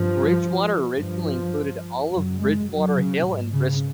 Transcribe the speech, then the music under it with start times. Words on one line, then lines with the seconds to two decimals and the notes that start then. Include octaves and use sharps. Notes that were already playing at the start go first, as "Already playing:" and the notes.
Bridgewater originally included all of Bridgewater Hill and Bristol.
Already playing: G2 F3
0.98 G2 F3
2.12 F#2 C#3 F#3
2.40 G#3
2.69 F#3
2.97 C#3
3.25 G#2
3.53 C#3